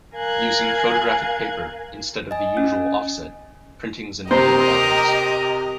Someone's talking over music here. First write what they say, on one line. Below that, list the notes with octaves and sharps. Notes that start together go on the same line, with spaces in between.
Using photographic paper, instead of the usual "off set", printings in regular albums.
A#4 F5 G#5 F#6 G#6
D#5 G#5
C#4
C3 G4 A#4 C5 D#5 A#5